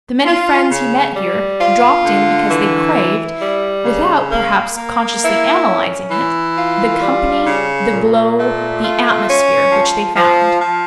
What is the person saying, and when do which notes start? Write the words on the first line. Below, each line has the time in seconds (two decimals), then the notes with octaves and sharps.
The many friends he met here dropped in because they craved, without, perhaps, consciously analysing it, the company, the glow, the atmosphere which they found.
0.25 F4
0.70 C#3
1.15 G3
1.59 F4
2.05 D3
2.50 E3
2.95 E4
3.41 G3
3.85 C#3
4.30 A#3
4.76 A#3
5.21 E4
5.65 C#4
6.11 E3
6.56 F4
7.00 G3
7.45 C#3
7.91 A#2
8.37 A3
8.81 F4
9.26 C#4
9.71 F3
10.16 F3
10.61 F3